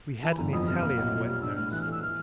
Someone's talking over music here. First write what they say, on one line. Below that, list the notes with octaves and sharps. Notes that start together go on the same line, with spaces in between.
We had an Italian wet-nurse.
E3 A5
B5
G1 A#5
F2 D#6
C3 F6
A#3
B1
A#2
G3
D4 E6
A2 F6
E3 F#6
A3 F6
E6
E3 F6